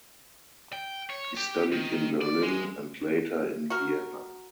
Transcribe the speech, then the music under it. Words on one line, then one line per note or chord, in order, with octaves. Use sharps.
He studied in Berlin, and later in Vienna.
G5
C#5
G4
D#3
D5
G#3
F#4 A#4